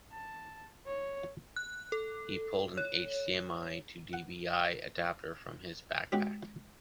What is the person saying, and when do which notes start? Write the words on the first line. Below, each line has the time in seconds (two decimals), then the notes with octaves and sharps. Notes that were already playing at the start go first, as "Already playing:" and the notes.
He pulled a HDMI to DVI adapter from his backpack.
0.12 A5
0.87 C#5
1.56 F#6
1.92 A4
2.77 C#5
4.13 F#5
6.12 G#3 C#4 F#4 G4